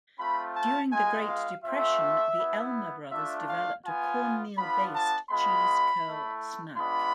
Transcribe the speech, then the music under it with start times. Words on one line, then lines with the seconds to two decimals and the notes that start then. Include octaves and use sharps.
During the Great Depression, the Elmer brothers developed a cornmeal-based cheese-curl snack.
0.19 A3 C4 F4 B5
0.55 A5
0.92 G#3 B3 F4 G#5
1.28 F5
1.64 A3 C4 F4 E5
2.38 B3 E4
3.11 A3 D4 F4 E5
3.48 F5
3.84 B3 F4 G#5
4.57 B3 D4 F4 B5
4.94 A5
5.30 G#3 B3 F4 B5
6.04 A3 E4
6.77 G#3 B3 D4 F4 B5